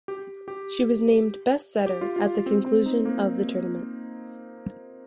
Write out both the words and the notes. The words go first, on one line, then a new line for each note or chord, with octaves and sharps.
She was named "Best Setter" at the conclusion of the tournament.
G4
G4
G4
F4
F4
C4
C4
D#4
A#3